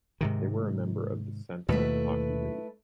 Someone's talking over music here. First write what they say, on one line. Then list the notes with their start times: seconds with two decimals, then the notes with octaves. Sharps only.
They were a member of the Central Hockey League.
0.21 G#2 C3 D#3
1.69 D#2 B2 A3 E4 B4